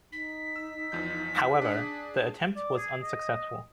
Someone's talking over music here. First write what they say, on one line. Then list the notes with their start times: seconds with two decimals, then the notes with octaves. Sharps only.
However, the attempt was unsuccessful.
0.12 D#4 B6
0.56 E6
0.92 E2 F3 G6
1.62 D4 G#4
2.56 D5
2.77 G#4
3.02 D#5